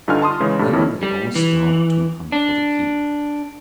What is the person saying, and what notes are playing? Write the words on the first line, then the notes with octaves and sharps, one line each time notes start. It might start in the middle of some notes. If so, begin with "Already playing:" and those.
Then they all started to hunt for the key.
G2 D3 D#4 F4 G#5 F6
A5 C6 D#6
C#3 E3 G#3
G2 G3 A3
F2 A#3 C#4 E4
G3
E3
D4